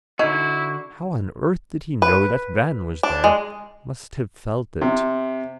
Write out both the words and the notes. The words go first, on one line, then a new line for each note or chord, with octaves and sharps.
How on earth did he know that van was there? Must have felt it.
D3 D#4 E4 F#4
B4
D4
G#3
C3